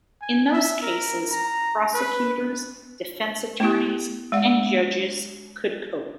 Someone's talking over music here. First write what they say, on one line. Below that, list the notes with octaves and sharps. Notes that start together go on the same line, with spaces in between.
In those cases, prosecutors, defense attorneys, and judges could cope.
G#5
E5
A#4
A#5
B4
A3 B3 E4 G4
G#3 D5 F#5